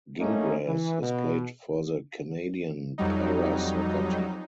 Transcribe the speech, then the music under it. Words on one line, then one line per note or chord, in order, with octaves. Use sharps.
Gingras has played for the Canadian Para Soccer Team.
A3 A#3 C#4 D#4
E3
B2
F2 F#3 G3 D#4